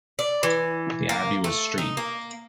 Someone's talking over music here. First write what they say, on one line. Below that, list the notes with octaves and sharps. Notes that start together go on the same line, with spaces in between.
The abbey was St.
D5
E3
A#3
A3
D#4
A#3